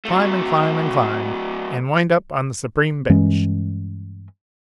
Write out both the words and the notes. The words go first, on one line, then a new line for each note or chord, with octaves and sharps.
Climb, and climb, and climb--and wind up on the Supreme bench.
F#3 A3
G2 E3 G#3 C#4